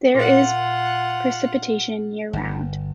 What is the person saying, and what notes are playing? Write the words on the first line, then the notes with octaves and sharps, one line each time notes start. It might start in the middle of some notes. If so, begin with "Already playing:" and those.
There is precipitation year-round.
A#2 F4 F#5
G1